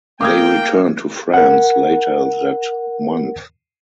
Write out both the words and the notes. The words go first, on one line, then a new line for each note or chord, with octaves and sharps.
They returned to France later that month.
A#3 G5 D6 D#6 G#6
A#4 F#5